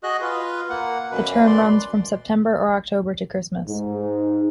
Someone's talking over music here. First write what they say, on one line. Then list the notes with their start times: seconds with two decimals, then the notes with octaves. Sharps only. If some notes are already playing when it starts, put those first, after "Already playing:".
The term runs from September or October to Christmas.
0.03 F#4 G#4 D#5 F#6
0.21 F4 B4
0.70 A#3 F#5
1.11 F#2 B2 B4
1.47 D5 C6
3.67 G#2